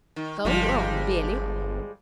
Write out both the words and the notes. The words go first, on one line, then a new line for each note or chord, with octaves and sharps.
"Go on, Billy."
D#3
G1 F3 G3 G#3